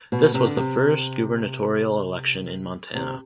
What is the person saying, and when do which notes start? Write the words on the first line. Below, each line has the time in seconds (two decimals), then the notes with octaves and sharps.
This was the first gubernatorial election in Montana.
0.12 B2
0.34 C3
0.46 D3
0.57 C3
2.95 C3